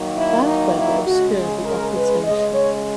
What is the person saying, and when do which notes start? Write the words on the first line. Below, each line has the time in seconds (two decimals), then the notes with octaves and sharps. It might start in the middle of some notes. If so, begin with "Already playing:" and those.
Bad weather obscured the occultation.
Already playing: D#3 F#3 A#3
0.17 E4
0.46 D#4
0.77 E4
1.06 C#3 G#3 F#4
1.36 G#4
1.65 A#4
1.95 B4
2.24 C#3 G#3 D#5
2.55 C#5